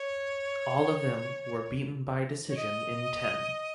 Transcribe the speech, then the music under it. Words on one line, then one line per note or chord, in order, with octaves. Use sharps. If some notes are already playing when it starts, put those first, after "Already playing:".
All of them were beaten by decision in ten.
Already playing: C#5
C#5
D#5